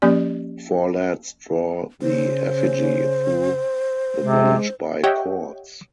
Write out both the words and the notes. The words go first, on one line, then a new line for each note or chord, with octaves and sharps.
Four lads draw the effigy through the village by cords.
F3 A#3 C#4 G4 D5
C#3 C5
C3 G#3
G4 C#5 D#5 E5 F#5 G5